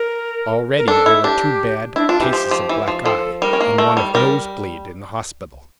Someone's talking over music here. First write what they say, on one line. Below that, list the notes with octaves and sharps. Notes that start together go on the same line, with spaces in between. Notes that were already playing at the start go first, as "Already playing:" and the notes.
Already there were two bad cases of black eye, and one of nosebleed, in the hospital.
Already playing: A#4
A#4
D4 A4
E4
D4 G4
D4 E4
D4 F4
E3 G4
F3
F3
E3
F3
F3 A4
G3 A#4
C#4
A#3
A3
G3
G3 A#4